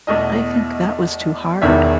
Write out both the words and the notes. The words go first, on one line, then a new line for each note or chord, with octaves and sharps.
I think that was too hard.
E2 B2 A3 D#5
E1 E2 D#3 E5